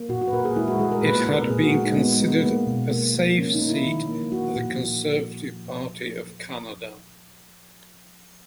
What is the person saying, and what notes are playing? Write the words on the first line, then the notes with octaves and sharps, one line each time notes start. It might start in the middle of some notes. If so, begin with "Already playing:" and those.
It had been considered a safe seat for the Conservative Party of Canada.
Already playing: A#3
A#2 F#4
F#4
B4
A#2 A#4
G#4
G#3 E4
F#4
G#3 G#4
A#4
A#2 B4
A#2
A#4
A#2 G#4
F#4
G#3
D#4
G#3 B3
B3
G#3
B3
A#3
B2
A#3
A#3
A#3 C#4
D#4
A#3
E4
D#3
A#3
A#3 F#4
A#2